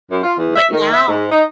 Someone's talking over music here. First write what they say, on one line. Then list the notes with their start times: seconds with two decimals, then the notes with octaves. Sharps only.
but now
0.10 F#2
0.24 F4
0.37 E2
0.56 E5
0.71 D#3
0.93 E5
1.08 G#2
1.30 D#4